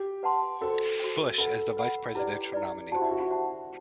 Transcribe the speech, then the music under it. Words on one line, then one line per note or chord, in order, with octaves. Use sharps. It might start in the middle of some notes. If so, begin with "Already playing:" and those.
Bush, as the vice-presidential nominee.
Already playing: G4
B4 F#5 A5 C6
F#4 A4 C5 G5
F#4 C5 G5
A4 B4 F#5 B5
B4 F#5 B5
E4 G4 B4 D5
E4 B4 D5
F#4 G4 C5 F#5 A5
E4
F#4
E4
G4 C5 F#5 A5